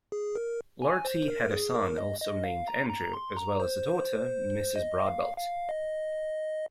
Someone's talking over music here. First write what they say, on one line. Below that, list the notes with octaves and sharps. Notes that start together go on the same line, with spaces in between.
Lortie had a son also named Andrew as well as a daughter, Mrs. Brodbelt.
G#4
A#4
G#5
C5
A#4
G#4
A#4
D#5
D#5
F5
A#5
A#5
C6
A#5
C5
D#5
F5
F5
D#5